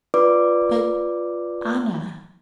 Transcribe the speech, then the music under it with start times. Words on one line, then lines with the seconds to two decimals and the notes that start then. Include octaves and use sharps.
"But, Anna..."
0.14 F4 B4 D5 D6